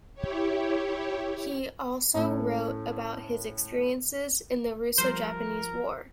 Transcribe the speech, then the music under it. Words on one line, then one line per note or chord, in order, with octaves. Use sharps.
He also wrote about his experiences in the Russo-Japanese War.
E4 G4 C#5
A2 A3 C#4
F3 G3 F4 A#4 C5